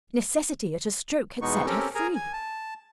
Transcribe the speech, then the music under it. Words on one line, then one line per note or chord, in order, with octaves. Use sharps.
Necessity at a stroke had set her free.
E2 B2 G#3 B3 D#4 C#6
C4 C#4 G4 A4 A#4
G#4 A#4 G#5 A#5
G#5
A5